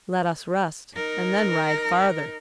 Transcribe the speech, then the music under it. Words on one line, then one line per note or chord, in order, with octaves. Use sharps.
Let us rest, and then ride farther.
D#4 A#4